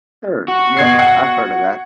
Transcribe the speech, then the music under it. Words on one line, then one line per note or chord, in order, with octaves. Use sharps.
Sure. Yeah, I've heard of that.
F#4
B2 G#6 C7
F#5